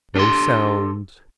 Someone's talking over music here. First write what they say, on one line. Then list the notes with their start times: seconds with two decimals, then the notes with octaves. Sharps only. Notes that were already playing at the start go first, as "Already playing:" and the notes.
No sound.
0.15 D4 G4 A4 C6